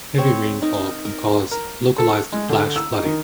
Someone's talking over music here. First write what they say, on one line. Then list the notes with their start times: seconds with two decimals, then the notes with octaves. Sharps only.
Heavy rainfall can cause localized flash flooding.
0.18 C4 C#5
0.62 D#4 A#4
1.05 A#4
1.51 A#4
1.98 A4
2.32 G#3
2.49 D3
2.76 E6
2.93 D#4
3.05 D#3